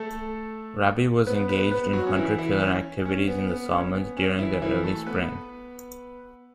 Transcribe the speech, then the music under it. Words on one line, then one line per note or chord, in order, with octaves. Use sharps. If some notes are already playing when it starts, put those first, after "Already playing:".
"Raby" was engaged in hunter-killer activities in the Solomons during the early spring.
Already playing: A3 A4
B3 B4
B3 B4
B3 B4
F#3 F#4
C#4
E3 E4
E3 E4
C#4
C#4
B3
B3
C#4
B3
C#4
E3 E4
E3 E4
A3 A4
B3 B4